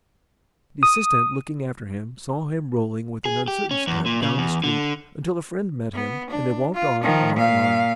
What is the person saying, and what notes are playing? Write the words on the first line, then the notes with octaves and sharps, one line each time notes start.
The assistant, looking after him, saw him rolling, with an uncertain step, down the street, until a friend met him, and they walked on arm in arm.
D#6
G#4
G4
C#4
E2
A#2
C#3
E2
D3
B3
D4
F4
D#3 F3
A#2 F5